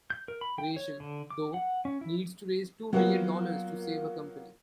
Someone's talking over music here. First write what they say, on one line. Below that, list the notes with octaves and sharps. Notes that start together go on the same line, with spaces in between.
Rachel, though, needs to raise two million dollars to save her company.
G6
A#4
B5
G5
C#5
D3
D6
F#5
C#4
E4
F#3 A#3 B3 F4 F#4